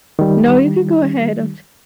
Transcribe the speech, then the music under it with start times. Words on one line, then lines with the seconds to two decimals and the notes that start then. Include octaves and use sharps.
No, you can go ahead. I'm just
0.19 D#3 G3